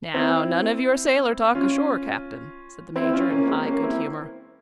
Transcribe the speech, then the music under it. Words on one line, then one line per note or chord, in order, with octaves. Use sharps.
"Now none of your sailor-talk ashore, Captain," said the Major, in high good humour.
C4 E4
C#4 F4
C4 E4
C#4 F4
A#3 C#4
G#3 C4
A#3 C#4
C4 E4